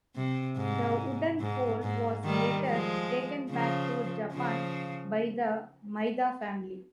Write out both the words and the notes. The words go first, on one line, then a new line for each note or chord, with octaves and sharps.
The wooden pole was later taken back to Japan by the Maida family.
C3
G#2
G#2
G#2
D#3 G3
F3 G#3
C#3 F3
C#3 F3